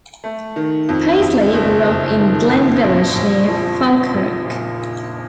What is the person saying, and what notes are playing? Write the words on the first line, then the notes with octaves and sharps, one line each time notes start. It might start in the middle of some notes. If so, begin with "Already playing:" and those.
Paisley grew up in Glen Village near Falkirk.
A3
D#3
F2
F2
F#1
F#1
D#3
F2
A#1
A#1
F3
F3
A#1
A#2